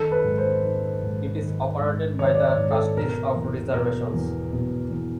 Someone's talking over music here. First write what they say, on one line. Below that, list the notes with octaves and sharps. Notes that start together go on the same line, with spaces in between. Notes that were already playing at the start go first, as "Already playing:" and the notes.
It is operated by The Trustees of Reservations.
Already playing: D#3 A4
B4
G#2
C5
D#3
G#2
D#3
G#2
D#3 C#5
D5
C#5
G#2
A4
B2 A#4
E2
B2 A#4
E2
B2
E2